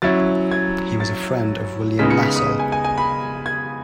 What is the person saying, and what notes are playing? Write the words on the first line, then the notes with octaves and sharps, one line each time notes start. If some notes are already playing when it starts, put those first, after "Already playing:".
He was a friend of William Lassell.
F#3 C#4 E4 A6
G#6
A6
C#3 G#3 B3 D#4 B6
C#7
B6
D#6
G#5
G#5
G#5
B5
G#6